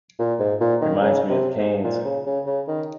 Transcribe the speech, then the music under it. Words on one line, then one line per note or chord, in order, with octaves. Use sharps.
Reminds me of Cannes.
A#2
G#2
A#2
D#3
C#3
C3
G#2
A#2
C#3
C#3
C#3
D#3